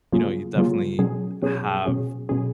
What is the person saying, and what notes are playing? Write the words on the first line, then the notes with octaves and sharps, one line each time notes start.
you know, you definitely have
C#3 F#3 A#3 F4 G#4
C#3 F#3 A#3 F4 G#4
B2 F#3 C#4 G#4
B2 F#3 C#4 G#4
B2 F#3 C#4 G#4
B2 F#3 C#4 G#4